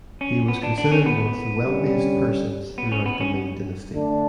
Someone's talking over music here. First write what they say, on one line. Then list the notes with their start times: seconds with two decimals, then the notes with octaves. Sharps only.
He was considered one of the wealthiest persons throughout the Ming Dynasty.
0.21 C#4
0.48 B3
0.63 D4
0.78 D4
0.92 C#4
1.06 B3
1.63 D3 G3 C#4
2.78 B3
2.92 C#4
3.06 B3
3.21 C#4
3.92 D3 A3 D4